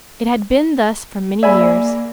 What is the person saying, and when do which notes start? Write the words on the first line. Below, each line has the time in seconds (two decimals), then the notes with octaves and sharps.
It had been thus for many years.
1.43 A#3 D5 E5 G#5 B5